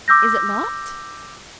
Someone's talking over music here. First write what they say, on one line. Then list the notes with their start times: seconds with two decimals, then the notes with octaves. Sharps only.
"Is it locked?"
0.08 D6 E6 G6 A#6